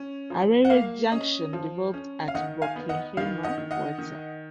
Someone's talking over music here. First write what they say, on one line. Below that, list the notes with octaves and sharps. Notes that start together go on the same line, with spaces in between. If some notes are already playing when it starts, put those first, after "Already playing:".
A railway junction developed at Bockenheimer Warte.
Already playing: C#4
F3
F#5
A#3 F5
C#4 D#5
F3
C#4
F5
D#3 D#5 F#5
F5 G#5
B3
D#5 F#5
D#3 F5
D#5 F#5
D#3
D#5 F#5
D#3